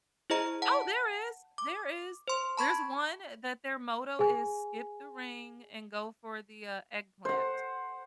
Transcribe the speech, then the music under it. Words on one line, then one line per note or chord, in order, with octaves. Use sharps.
Oh, there is, there is. There's one that their motto is "Skip the ring and go for the, uh, eggplant."
E4 G#4 C5 D#5 A#5
F#5 A5
D6
C5 C6
A5 B5 C#6 G#6
G#4 G#5
C5 F#5